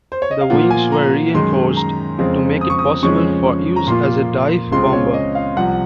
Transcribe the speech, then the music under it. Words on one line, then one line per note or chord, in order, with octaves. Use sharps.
The wings were reinforced to make it possible for use as a dive bomber.
C5
C#5
D#5
F5
A#2 F3 A#3 F4 F#5
G#5
A#5
F#2 D#3 G#3 D#4 C6
A#5
F2 C#3 G#3 C4 F4
D#6
C#6
D#6
F2 C#3 F3 G#3 C#4 C#6
A#5
A#2 F3 A#3 F4 C6
C#2 C#3 G#3 C4 F4 C6
C#5
D#5
F5
C2 C3 F3 F#5